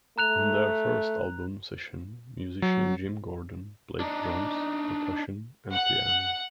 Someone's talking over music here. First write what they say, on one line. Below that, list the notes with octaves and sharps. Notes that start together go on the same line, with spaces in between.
On their first album session musician Jim Gordon played drums, percussion, and piano.
A3 A#5 F#6 F7
F#3
D4 D#4
F#5